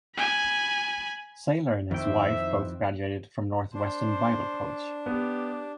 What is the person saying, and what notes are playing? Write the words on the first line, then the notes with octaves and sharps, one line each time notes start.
Sailer and his wife both graduated from Northwestern Bible College.
G#5 B5
F2 D#3 E3 D#4 C5 E5 G5
D4 C5
B3 G4